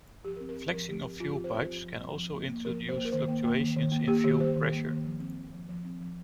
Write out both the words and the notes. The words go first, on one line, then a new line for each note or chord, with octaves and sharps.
Flexing of fuel pipes can also induce fluctuations in fuel pressure.
F3 G4
A#4
C4
A#4
C4
F3 A#4
F3 G4
C4 A#4
F3 F4
G4
C4
C5
C4 F4
F3
F3
C4
F3
A#3
A#3
F3 A#4
F3
C5
A#3
A#4
D#3 C5
A#3
A#3
D#3
D#3
A#3
A#3 G4
D#3 G4
G3 C5
D#3
A#3
D#3
F3
C4
C4
F3
F3
C4
F3